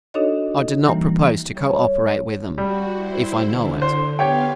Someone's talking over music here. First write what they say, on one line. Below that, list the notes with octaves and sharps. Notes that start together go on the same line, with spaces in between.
I do not propose to cooperate with them, if I know it.
D4 D#4 F#4 A4 C#5 D#5
E3 G3 A#3
G3 C#5
G3 F#4
E4 C5
D3
C5
B3 G4 C#5 F5 G5